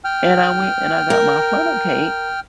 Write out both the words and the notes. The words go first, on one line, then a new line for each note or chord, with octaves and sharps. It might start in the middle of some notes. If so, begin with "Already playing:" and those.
And I went and I got my funnel cake
G5 F6
A#4